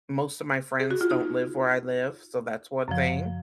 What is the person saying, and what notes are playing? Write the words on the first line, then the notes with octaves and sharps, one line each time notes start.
most of my friends don't live where I live, so that's one thing,
G#4
F#4
F4
D#4
F#2 C#3 F3